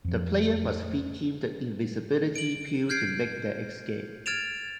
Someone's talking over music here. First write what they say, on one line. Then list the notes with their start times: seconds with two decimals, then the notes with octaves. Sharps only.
The player must feed him the invisibility pill to make their escape.
0.05 F2 F3
2.36 D7 F#7
2.89 F6 G6 G#6 C7 D7
4.26 F6 G#6 A6 D7 E7 F7